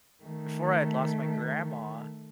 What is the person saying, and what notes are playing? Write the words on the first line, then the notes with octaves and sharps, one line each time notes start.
before I'd lost my grandma
D#3 A3